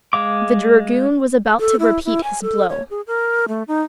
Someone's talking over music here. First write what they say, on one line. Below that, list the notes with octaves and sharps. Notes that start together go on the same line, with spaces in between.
The dragoon was about to repeat his blow.
G#3 F5 D6
A4
E4
E4
G#5
A4
C#5
G#4
A#4
A3
D#4